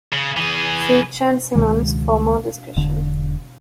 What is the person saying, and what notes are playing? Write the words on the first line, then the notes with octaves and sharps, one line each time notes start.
See Chern-Simons for more discussion.
C#3
E3 G#4
C#2 B2 D#3 G#3
E1 D3